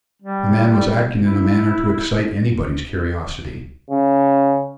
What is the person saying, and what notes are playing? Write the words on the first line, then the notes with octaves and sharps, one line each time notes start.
The man was acting in a manner to excite anybody's curiosity.
G3
E4
C#3